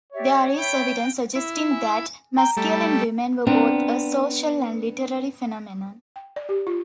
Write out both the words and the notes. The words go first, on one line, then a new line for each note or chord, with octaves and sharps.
There is evidence suggesting that masculine women were both a social and literary phenomenon.
G4 C#5 D5 E5
E5 G5 B5
E4
G#5
G5 A#5
G3 A3
B3 C4 D4 A#4
G5
D5
G4
F4